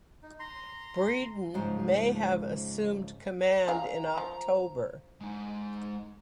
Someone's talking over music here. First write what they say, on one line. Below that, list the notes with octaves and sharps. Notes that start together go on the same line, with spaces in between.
Breedon may have assumed command in October.
D#4
A#5 C6
G#2 C#3 F3 G#3
F#3 G#4 F5 A#5
F3
G#3 D#4